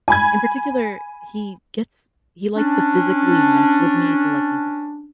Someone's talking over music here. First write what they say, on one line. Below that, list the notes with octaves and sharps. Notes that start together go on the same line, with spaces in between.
In particular, he gets he likes to physically mess with me, so, like, he's, like,
G#5 B5 G#6
C#4 D4